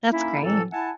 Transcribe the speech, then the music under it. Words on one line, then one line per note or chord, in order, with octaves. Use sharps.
That's great.
A#3 C#4 D#4 E4
A2 E3 F#3 C4 A4
E4 E5 F#5 G#5 A5